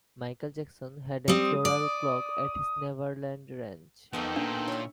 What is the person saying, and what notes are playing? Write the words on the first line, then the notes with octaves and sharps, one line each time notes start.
Michael Jackson had a floral clock at his Neverland Ranch.
G3 C4 D#6
D5
F2 D#3 F3 B3 D#4 A4 A#4 G5
A#2 D4
E4 C#5